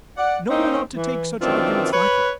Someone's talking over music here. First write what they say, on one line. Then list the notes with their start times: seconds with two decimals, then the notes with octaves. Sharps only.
No one ought to take such arguments lightly.
0.17 D5 F#5
0.49 A#3 C4 C#4 D#4
0.94 E3
1.40 F#2 D#3 E3 C4 D4 F4
1.92 B4 C#5 B5